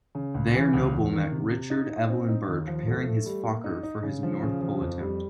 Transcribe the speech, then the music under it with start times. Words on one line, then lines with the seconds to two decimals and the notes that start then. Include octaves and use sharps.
There Nobile met Richard Evelyn Byrd preparing his Fokker for his North Pole attempt.
0.15 C#3
0.34 C#2
0.54 E3
0.73 C#2
0.93 E2
1.12 D#3
1.31 C3
1.51 C3
1.70 D#4
1.90 D#4
2.09 C4
2.29 D#4
2.48 D#2
2.67 F3
2.87 A3
3.06 A3
3.26 G3
3.45 A#3
3.64 D#4
3.83 D#4
4.03 C#3
4.23 F3
4.42 C#3
4.61 F3
4.81 F2
5.00 G3